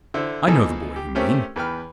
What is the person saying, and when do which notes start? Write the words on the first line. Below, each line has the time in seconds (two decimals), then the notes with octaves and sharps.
I know the boy you mean.
0.14 D3 E4 C5
0.48 B2 E3 F3 D#4 G#4 A4
0.96 G4
1.15 A3 C4 C#4 G4 A#4 C5
1.56 E2 B4 G5 F6